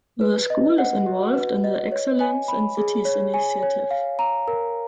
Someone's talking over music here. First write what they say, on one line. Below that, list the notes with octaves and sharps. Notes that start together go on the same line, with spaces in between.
The school is involved in the "Excellence in Cities" initiative.
B4
D#5
F#5
F#4
B4
D#5
C#5
G#5
B5
G#4
C#5
G#5
C#5
F5
A#5
A#4